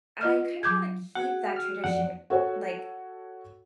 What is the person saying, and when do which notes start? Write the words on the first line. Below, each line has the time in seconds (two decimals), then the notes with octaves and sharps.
I kinda wanna keep that tradition, like,
0.21 F4 D#5 F6
0.63 F#3 D6 G6 G#6
1.15 F#4 G#4 F#5
1.56 F6
1.84 F2 D5 F#5
2.30 F#4 A4 C#5 F#5